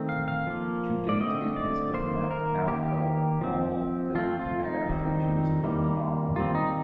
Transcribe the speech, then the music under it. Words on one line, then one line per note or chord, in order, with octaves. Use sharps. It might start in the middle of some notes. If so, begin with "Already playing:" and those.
To date, it has been left out of all film adaptations of the novel.
Already playing: D#3 A3 C4
F5
F5
F3 A#3
D5
D3 A3 C4 D#5
D5
D#3 A#3 C5
A#4
D#3 A#3 G4
F3 C4
F3 A3 C4 F4
F4
D#4
D#3 G3 C4
D#3 G3 A#3
D#3 G3 C4 F4
D#4